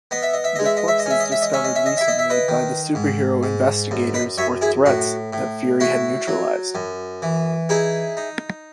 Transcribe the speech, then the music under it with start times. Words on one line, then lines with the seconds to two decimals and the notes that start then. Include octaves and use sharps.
The corpses discovered recently by the superhero investigators were threats that Fury had neutralized.
0.11 B3 D#5
0.23 E5
0.33 D#5
0.44 E5
0.56 G#3 D#5
0.66 E5
0.77 D#5
0.88 E5
0.99 D#5
1.06 C#4 E5
1.20 D#5
1.32 E5
1.42 D#5
1.53 C#4 E5
1.64 D#5
1.76 E5
1.86 D#5
1.97 E4 E5
2.08 D#5
2.19 E5
2.30 B4 D#5
2.48 D#3
2.95 G#2
3.43 G#2
3.91 F#2
4.14 B4 D#5
4.38 F#2 C#5 E5
4.61 E4 G#4
4.86 A2 F#4
5.33 A2
5.80 E4 F#4
6.28 F#3
6.75 F#2
7.22 E3
7.69 D#4 E4 G#4
8.17 D#4